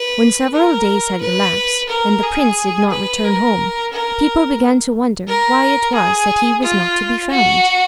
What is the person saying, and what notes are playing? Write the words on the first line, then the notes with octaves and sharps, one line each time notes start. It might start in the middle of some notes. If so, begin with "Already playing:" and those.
When several days had elapsed and the prince did not return home, people began to wonder why it was that he was not to be found.
Already playing: B4
A#4
B4
A#4
G#4
B4
A#4
A#4
A#4
G#4
F4
F#4